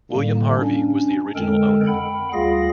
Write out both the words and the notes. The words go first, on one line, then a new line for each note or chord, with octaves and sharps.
William Harvey was the original owner.
A2 D3 G3 A#3
C#4 D4
F2 D3 G#3 A4 A#4 G5
F#5 G5 B5
D2 G3 F4 G#4 F5 A#6